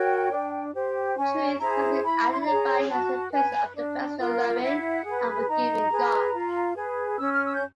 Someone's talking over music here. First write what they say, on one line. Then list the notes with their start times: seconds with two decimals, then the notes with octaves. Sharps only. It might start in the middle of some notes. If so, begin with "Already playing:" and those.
"Truth" has been identified as the presence of a personal, loving, and forgiving God.
Already playing: F#4 A#4 C#5 G5
0.31 D4
0.74 G4 C5
1.17 C#4 G#5
1.60 E4 G#4 C5 A#5
2.03 E4 B5
2.32 C6
2.39 B5
2.45 G#4 C#5 A#5
2.89 F#4 A5
3.32 B4 G#5
3.75 D4
4.18 F4 A#4
4.61 E4 F#5
5.04 G#4 B4
5.47 D#4 A#5
5.90 G#4 B4
6.34 F4
6.76 G#4 B4
7.19 C#4 E6
7.32 F6
7.45 E6
7.55 G6